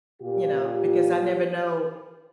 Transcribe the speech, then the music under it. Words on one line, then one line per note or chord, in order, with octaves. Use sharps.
you know, because I never know
A#2 F4 G4